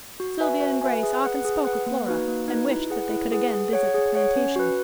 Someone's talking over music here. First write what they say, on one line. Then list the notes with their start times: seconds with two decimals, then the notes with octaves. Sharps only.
Sylvia and Grace often spoke of Flora, and wished that they could again visit the plantation.
0.20 F#4
0.40 B4 E5 G#5
0.60 F#4
0.81 B4 E5 G#5
1.03 G#4
1.23 B4 F#5
1.45 G#4
1.65 B4 F#5
1.86 A#3
2.07 D#4 F#4 B4
2.28 A#3
2.48 D#4 F#4 B4
2.70 E4
2.90 G#4 B4 F#5
3.10 E4
3.32 G#4 B4 F#5
3.53 G#4
3.73 C#5 F#5
3.94 G#4
4.15 C#5 F#5
4.36 C#4
4.56 F#4 B4